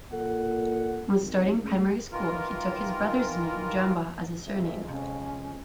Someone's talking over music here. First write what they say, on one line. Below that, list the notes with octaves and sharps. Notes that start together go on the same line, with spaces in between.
When starting primary school, he took his brother's name, Jamba, as a surname.
A#2 A4 F#5
G#1
G#3 A3 C#4
D#3 E3 F4 A#4
F2 G#3 E5
C3 C#4